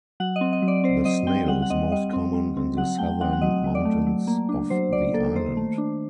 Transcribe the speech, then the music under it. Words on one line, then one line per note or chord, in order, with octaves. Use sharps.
The snail is most common in the southern mountains of the island.
F#3 F#5
D#5
C4
D#5
F#3
D5
C4 C5
F#3 D#5
C4 G5
G3 F#5
F#5
C4 D#5
G3 D#5
C4
G3
C4
F#3 F#5
A3 G5
C4 F#5
F#5
F#3 D#5
F#3
D5
A3
F#3
A#3
D4
F#3 C5
F#3 D5
A#3 A4
D#3 C5
A3
D4